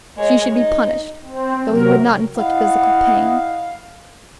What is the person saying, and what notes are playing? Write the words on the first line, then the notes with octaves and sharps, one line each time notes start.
She should be punished, though he would not inflict physical pain.
G#3 C#5
D#4
C4
C3 F#3 A#4
E4 D#5 F5 F#5